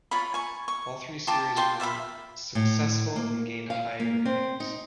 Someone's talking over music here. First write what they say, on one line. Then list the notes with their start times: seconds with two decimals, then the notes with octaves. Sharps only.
All three series were successful and gained high ratings.
0.11 F4 C#5 B5
0.34 G#5 C#6
0.68 C#6
1.27 F4 G5 A5 D6
1.57 F4 G5 C6
1.80 D5 E5 F5 B5
2.55 A2
3.16 A#3
3.70 F5
4.00 A#3
4.25 C4
4.60 D#4